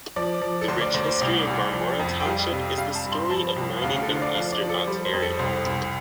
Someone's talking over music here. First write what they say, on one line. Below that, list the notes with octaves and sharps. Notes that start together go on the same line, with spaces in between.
The rich history of Marmora Township is the story of mining in Eastern Ontario.
F3 D5
F3
A4
D2 C5
D5
D2 C5
C5
C2 D5
C2
F3
F2
G5
G3 F5
C3
G3 F5
A5
G2
C6
C6
F3 A5
C2
D2 F5
F5
A4
D3 C5
F5
D5
F3 F5
D5
F3
A4
G3 C5
C5
F2
A4
C2 C5
C2